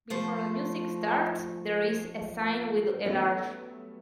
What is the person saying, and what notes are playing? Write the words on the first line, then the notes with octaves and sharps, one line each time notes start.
Before the music starts, there's a sign with a large !
F3 A3 C5
F#3 G3 A3 B3 C#4